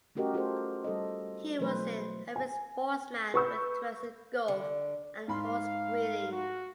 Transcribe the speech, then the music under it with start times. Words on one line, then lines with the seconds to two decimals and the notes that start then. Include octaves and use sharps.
He was an avid sportsman with interests in golf and horse breeding.
0.15 A3 C#4 F#4 G4 A#4 D#5
0.34 F4 G4 A4 A#4 C5
0.84 G3 A4 C5 D#5
1.59 B2 E3 F#3 A3 B4 C5
2.36 G#5
3.34 B4 C#6 E6 G6
4.48 D3
5.28 G#2 F5 B5 C6
6.31 F#4